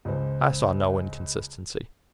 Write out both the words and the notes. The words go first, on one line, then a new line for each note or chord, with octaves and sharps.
I saw no inconsistency.
C#2 C5